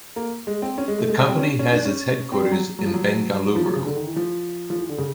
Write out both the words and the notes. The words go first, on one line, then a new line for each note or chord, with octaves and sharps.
The company has its headquarters in Bengaluru.
A#3
G#3
C4
C#4
G#3
A3
G#3
G3
C4
C#4
C#4
D4
C#4
C4
G3
F#3
F#3
F3
F#3
F3
F#3
C#3
D3
D#3
E3
F3
F3
E3
D3
C#3